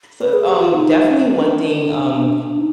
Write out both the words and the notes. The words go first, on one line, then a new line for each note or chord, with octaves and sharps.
So, um, definitely one thing, um,
B4
G#4
G4
F4
D#4
D4
D4
D#4